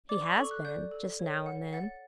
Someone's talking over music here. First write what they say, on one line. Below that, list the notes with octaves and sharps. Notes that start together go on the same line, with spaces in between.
'He has been--just now an' then.'
D5 D6
C#6
A4 C#6
F#6
D5 G6
A4
C#5
F#5
F#5 A6